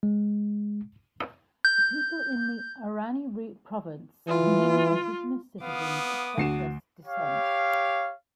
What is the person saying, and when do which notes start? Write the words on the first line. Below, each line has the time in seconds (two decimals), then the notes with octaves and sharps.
The people in the Arani Province are mainly indigenous citizens of Quechua descent.
0.03 G#3
1.65 G6
4.28 E3 F4
5.63 B3 F5 D6 D#6
6.38 D2 F#4 C7 E7
7.06 G4 C#5 F5